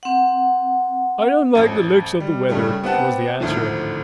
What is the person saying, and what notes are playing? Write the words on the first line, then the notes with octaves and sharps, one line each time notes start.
"I don't like the looks of the weather," was the answer.
C4 F#5
A1 F2
G3
G2 C#3 G3 A3
B3 C4 G4 F#5 A5
G#1 D2 A2 D3 F3